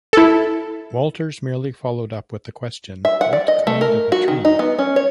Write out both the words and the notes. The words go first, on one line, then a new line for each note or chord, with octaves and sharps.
Walters merely followed up with the question, What kind of a tree?
E4 A4
E5
F#5
D5
D#5
A3
A#4
F#4
D#3
D#4
B3
C#4
C#5